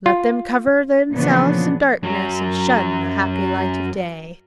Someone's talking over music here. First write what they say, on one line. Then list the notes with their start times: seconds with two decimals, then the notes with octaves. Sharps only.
Let them cover themselves in darkness and shun the happy light of day.
0.06 F4
1.14 A#2 C#3 E3 F3 B3 D4
2.03 F#2 F#3